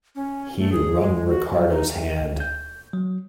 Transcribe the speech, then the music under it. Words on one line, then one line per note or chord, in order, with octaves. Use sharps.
He wrung Ricardo's hand.
C#4
A3
G#4
G#3
F#4
F#3
D#4
D2
G6
F#3